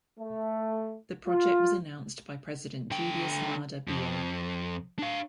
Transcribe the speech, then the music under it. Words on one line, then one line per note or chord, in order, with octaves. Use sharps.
The project was announced by President Julius Maada Bio.
A3
F4
D3 G5
F2
D4 F5